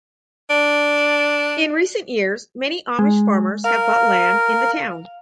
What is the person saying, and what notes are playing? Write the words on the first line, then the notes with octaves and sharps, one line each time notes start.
In recent years many Amish farmers have bought land in the town.
D4
G#3
A#4 F5